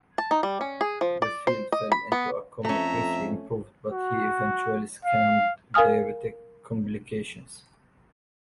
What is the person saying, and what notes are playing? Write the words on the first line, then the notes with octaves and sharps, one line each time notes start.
Whitfield fell into a coma, briefly improved, but he eventually succumbed to diabetic complications.
A5
D#4
G3
C#4
G#4
F3
D5
C5
D#5
B5
B3
F2 A3 C#4 E5 A#5
F#4
F5
A#4 F5 G#5 D#6 F6